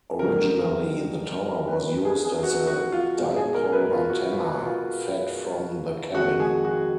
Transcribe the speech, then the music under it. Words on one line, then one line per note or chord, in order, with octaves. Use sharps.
Originally the tower was used as a dipole antenna, fed from the cabin.
F2 D3 F#3 A#4
B4
B4
G#4
G#4
F#4
F#4
F4
B2 G#3
G#4
A#4
B4
F4
F#4
F#4
F4
F2 D#3 G#3 F#4
G#4
F#4